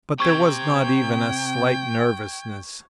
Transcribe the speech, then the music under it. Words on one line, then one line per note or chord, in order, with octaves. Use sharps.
But there was not even a slight nervousness.
C3 G5 C#6 G#6